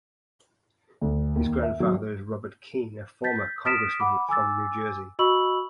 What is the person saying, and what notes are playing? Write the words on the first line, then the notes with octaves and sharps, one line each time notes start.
His grandfather is Robert Kean, a former Congressman from New Jersey.
D2
D#2
E5
F#3
G6 A6 B6
D#6 F6 A6 B6 D7 E7
F#5 B5 D6
G#5 D6 E6 A6
F#4 D#5 B5 C#6 E6 F#7